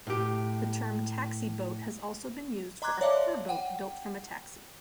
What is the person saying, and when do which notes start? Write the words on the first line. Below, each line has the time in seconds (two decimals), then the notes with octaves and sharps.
The term taxi-boat has also been used for a car-boat built from a taxi.
0.07 A2 G4
2.82 D#5 A#5 C6 D6 F#6 G#6
3.01 C#5 D5 E5 F5 A5 D6
3.49 F#5 G5